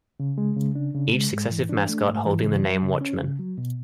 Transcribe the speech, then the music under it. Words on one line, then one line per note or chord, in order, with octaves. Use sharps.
Each successive mascot holding the name Watchman.
C#3
G#3
C#3
D4
C#3
G#3
G#2
E3
D4
A3
G#2
E3
C#3
F#3
C#3
C#4
C#3
F#3
B2